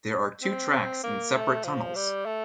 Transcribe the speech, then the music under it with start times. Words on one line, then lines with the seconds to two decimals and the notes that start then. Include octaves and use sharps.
There are two tracks in separate tunnels.
0.43 C4
1.04 A#3
1.34 A3
1.64 F3
1.96 G3
2.26 A3